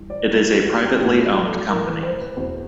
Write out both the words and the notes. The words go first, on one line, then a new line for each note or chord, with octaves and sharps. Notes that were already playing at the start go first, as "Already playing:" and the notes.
It is a privately owned company.
Already playing: G2 E3
D5
G2 E3 A#4
F#4
F#4
G4
A2 E3 G4
F#4
A4
A2 E3 A#4
B4
C5
B4
E2 B2 C5